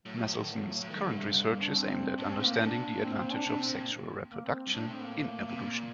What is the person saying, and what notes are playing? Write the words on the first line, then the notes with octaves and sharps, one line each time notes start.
Meselson's current research is aimed at understanding the advantage of sexual reproduction in evolution.
A2 F#3
F#3
D#3
D3
F#3
F#3
A2
G2 D#3
D3
C3
D3
A#3
D4
C4
A#2 D4
C4
A2
A#3
A#2 D4
C4
C4
D4
C3 D4
C4
A#2
A#3
C4
G2
A2 D4
C4
A#3
C3
A#2